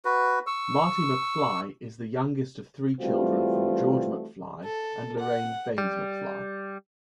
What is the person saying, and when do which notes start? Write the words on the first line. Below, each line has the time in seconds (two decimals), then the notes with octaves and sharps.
Marty McFly is the youngest of three children from George McFly and Lorraine Baines-McFly.
0.05 F#4 B4
0.47 C#6 E6
3.00 E3 G3 A3 C4 F4 F#4
4.64 A4
5.19 F#5
5.78 G3